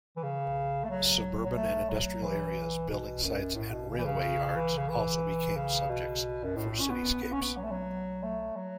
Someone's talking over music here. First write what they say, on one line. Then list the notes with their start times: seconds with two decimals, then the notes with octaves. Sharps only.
Suburban and industrial areas, building sites and railway yards also became subjects for cityscapes.
0.16 E3
0.23 C#3
0.84 A3
0.90 F#3
1.45 F#3
1.56 A3
1.90 F#3
2.23 E3
2.89 B2
3.23 F#2
3.56 A2
3.73 B2
3.90 C#3
3.98 E3
4.05 C#3
4.56 E3
4.77 C#3
4.89 E3
5.56 C#3
5.90 B2
6.44 F#2
6.56 A2
6.80 C#4
6.89 B3
7.23 B3
7.32 C#4
7.42 B3
7.57 F#3
7.64 A3
7.71 F#3
8.23 A3
8.56 F#3